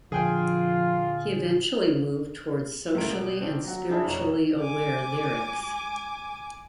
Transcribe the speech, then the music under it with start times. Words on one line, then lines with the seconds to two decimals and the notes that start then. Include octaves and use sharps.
He eventually moved towards socially and spiritually aware lyrics.
0.12 A#2 D3 F3 F4 G#4 G5 G#5
2.95 C#2 A2 E4 A#4 D7 F7
3.10 B2 G3
3.40 D#3 C4 D4
3.64 F#3 F#4
3.89 D4 E4 G#4 D#5 A5
4.05 F1 B2 C#5 A#5 E7
4.61 G#5 D6